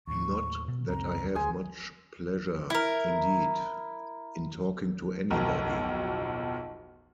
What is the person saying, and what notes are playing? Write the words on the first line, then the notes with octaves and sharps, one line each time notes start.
Not that I have much pleasure, indeed, in talking to anybody.
D#2 A2 C#6
B2
C#2 F#2 C4 A#5
D2 G#4 C5 G#5 C6
E4 A#4
D1 B1 F2 A#4